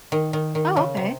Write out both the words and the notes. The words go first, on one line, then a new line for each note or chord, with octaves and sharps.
Oh, okay.
D#3
D#3
D#3
C#3
C3